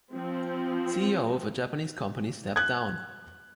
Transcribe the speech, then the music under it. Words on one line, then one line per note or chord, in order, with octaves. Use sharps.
CEO of a Japanese company stepped down.
F3 C4
F#6 G#6